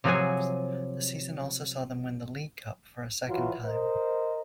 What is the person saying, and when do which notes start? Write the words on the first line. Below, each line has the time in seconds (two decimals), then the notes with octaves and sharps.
The season also saw them win the League Cup for a second time.
0.04 C3 F3 F#3 G#4 F#5 G#5
3.28 E3 F#3 F4 F#4
3.65 A#4 C5 D#5